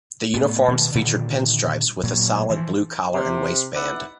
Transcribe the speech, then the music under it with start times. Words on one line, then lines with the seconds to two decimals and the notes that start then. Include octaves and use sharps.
The uniforms featured pinstripes with a solid blue collar and waistband.
0.34 A2 B3
0.68 B2 D#3
0.95 A#2 D3 D#3 G3
2.03 A#2 F#3
2.50 E3 F3
3.14 C3
3.75 B3 D#4 E4 D5 E5 F#5